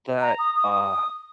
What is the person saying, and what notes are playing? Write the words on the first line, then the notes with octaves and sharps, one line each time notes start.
that, uh,
A#5
D#6
D#6
D#6